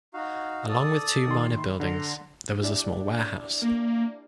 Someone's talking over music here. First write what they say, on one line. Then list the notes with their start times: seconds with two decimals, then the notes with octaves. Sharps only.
Along with two minor buildings, there was a small warehouse.
0.13 D#4 F#4 F5
0.69 A4 D5 D#6
1.27 D#3 C6
1.56 E4
1.80 D3 A#5 C6
2.61 D4 E4 G4
3.62 A#3